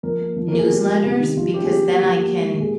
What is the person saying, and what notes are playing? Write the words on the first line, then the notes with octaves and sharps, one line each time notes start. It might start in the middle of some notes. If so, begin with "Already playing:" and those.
newsletters because then I can
F3 A#4
A#3
F3
A#4
A#3 G#4
F3 G4
G#3
C3
D#3
F3 F4
A#3 G4
G#4
F3 G4
A#3
F3
A#3
G#3
A#2
G#4